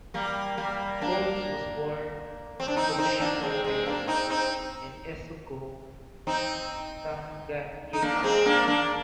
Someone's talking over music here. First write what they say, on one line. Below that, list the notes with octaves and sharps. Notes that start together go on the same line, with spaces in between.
Faulds was born to missionary parents in Isoko, Tanganyika.
G3 A#3
G3 A#3
A#3 D4
C4
D4
C4 D#4
C4 D#4
A#3 D4
G#3 C4
G#3 C4
A#3 D4
C4 D#4
C4 D#4
C4 D#4
D#4
A#3 D4
G#3 C4
A#3 D4
A#3 D4